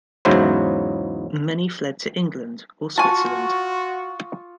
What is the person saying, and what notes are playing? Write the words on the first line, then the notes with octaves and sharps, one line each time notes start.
Many fled to England or Switzerland.
E2 G#2 C#3 F#3 E4 C5
F4 F#4 G#5 A5 C#6 D#6